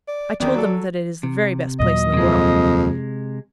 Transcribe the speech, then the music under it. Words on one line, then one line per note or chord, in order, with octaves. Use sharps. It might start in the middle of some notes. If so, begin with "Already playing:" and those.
I told them that it is the very best place in the world.
D5
E2 D#3 D5
F#3 A4
C3
D#2 A#2 F#3 D#5
F2 C3 G#3